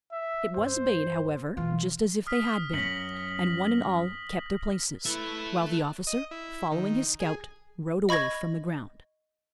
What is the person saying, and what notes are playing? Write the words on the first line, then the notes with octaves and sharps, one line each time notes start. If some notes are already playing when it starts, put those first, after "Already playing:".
It was obeyed, however, just as if they had been; and one and all kept their places, while the officer, following his scout, rode away from the ground.
E5
G2 C5
B2 E3 F4
D#6 F6 B6
F#2 C#4 A#6 B6 F#7
E4 A4 B4 E5
D#5
E4
D#3
G#4
D#5 B5 C#6 G#6 A#6